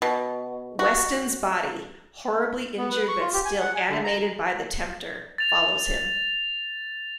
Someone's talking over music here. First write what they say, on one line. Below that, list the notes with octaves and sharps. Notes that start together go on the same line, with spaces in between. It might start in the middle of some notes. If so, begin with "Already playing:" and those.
Weston's body, horribly injured but still animated by the Tempter, follows him.
B2
F#4
B3
B4
C#6
F4
G4
G#5
F#5
G#5
D3
A#5
A6 F7